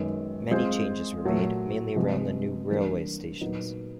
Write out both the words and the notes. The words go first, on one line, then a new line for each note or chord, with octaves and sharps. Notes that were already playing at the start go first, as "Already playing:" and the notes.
Many changes were made, mainly around the new railway stations.
Already playing: F#2 D#3 G#3 B3
G#3 C4 F4 G#4 C5
A#2 F#3 A3
C3 F3 G#3 B3
E3 G3 A#3 D4
A#2 F#3 B3 D#4